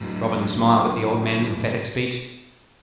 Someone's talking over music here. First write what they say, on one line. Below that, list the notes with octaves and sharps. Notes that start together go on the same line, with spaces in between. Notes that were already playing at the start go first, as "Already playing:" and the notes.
Robin smiled at the old man's emphatic speech.
A2 F#3